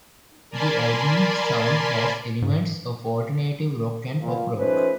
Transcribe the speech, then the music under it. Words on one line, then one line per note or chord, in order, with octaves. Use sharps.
The album's sound has elements of alternative rock and pop rock.
A#4 D5 G#5 A5 B5 C6
G#2
A#2
F3 A3 C#4 D#4 B4 C5